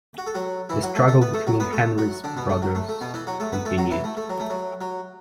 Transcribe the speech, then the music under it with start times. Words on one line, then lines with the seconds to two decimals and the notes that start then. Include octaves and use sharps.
The struggle between Henry's brothers continued.
0.18 F#4
0.26 A4
0.35 F#3 F#4
0.69 E3 E4
0.83 F#3 F#4
0.95 A3 A4
1.08 A3 A4
1.21 B3 B4
1.33 A3 A4
1.47 F#3 F#4
1.60 B3 B4
1.72 A3 A4
1.98 F#3 F#4
2.24 D3 D4
2.37 B2 B3
2.49 A3
2.62 F#3
2.75 A3
2.89 A3
3.01 B2 B3
3.14 E3 E4
3.27 F#3 F#4
3.40 A3 A4
3.52 B3 B4
3.65 A3 A4
3.78 F#3 F#4
3.90 E3 E4
4.04 A3
4.17 A3
4.29 F#3
4.40 A3
4.50 F#3
4.81 F#3